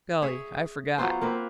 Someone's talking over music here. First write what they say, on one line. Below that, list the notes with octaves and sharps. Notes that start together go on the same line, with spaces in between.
Golly, I forgot.
G#4 C#5 E5
F#3 B3 F4 C5
A#3 C4 B4